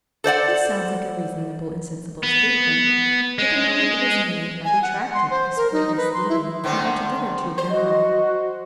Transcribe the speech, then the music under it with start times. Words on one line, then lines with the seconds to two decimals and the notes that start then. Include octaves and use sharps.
This sounds like a reasonable and sensible statement, yet the moment it is made I retract it, as quite misleading and altogether too general.
0.24 A4 C5 D5 F#5
2.23 B3
3.38 G#3
4.65 G#5
4.82 F#5
5.01 F#5
5.14 C6
5.31 C5
5.57 A#4
5.72 D#4
5.97 B4
6.13 C6
6.28 E4
6.64 D3 D#3 C4
7.58 C5
7.70 F#4 D#5